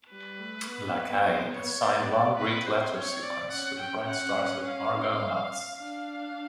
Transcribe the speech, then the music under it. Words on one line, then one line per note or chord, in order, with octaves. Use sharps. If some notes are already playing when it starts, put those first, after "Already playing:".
Lacaille assigned one Greek letter sequence for the bright stars of Argo Navis.
G3 B4
A3
B3
C5
C#5
B3 D5
C4 B4
C5
C#5
D5
C#4 F#5
G5
F#5
F5
D4 F5